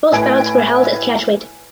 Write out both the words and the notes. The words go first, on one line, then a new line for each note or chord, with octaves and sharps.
Both bouts were held at catchweight.
A2 B4 G#5 G#6 D7